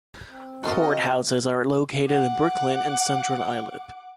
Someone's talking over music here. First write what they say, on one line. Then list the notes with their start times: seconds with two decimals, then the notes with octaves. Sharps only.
Courthouses are located in Brooklyn and Central Islip.
0.27 C4
0.63 D#4 F4 F#4 A4 A#4 D#5 F#5
2.07 F#5 D6